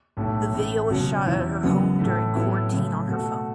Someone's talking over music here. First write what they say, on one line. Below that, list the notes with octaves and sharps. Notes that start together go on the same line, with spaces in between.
The video was shot at her home during quarantine on her phone.
B1 A2 A3
A1 A2 A3
C#2 B2 F#3 C#4
E2 E3 C#4 E4
F#1 F#2 F#3 B3
A2 E3 A3
A2 F#3 B3 E4
F#2 C#3 A3
B2 A3 F#4 A4